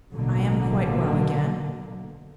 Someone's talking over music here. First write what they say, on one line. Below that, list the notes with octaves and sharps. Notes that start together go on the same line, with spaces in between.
I am quite well again.'
A1 B2 D3 F#3 A#3